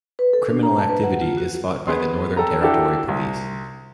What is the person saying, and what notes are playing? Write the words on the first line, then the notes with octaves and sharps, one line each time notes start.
Criminal activity is fought by the Northern Territory Police.
B4
A4
D4
A#5
A5
B4
F#5
F4
F#4
B3 G#4 C6
A4 G5 A#5
D4 E4 F#4 G4 A4
C2